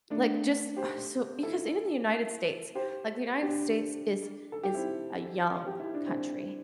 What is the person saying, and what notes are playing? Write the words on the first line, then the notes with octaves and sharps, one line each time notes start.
Like, just ugh, so because even the United States like, the United States is is a young country
A3 D4
G4 C5
E4 A4
G4 C5
D4 G4
A4
G4
C4 E4
G4
E4
D4
C4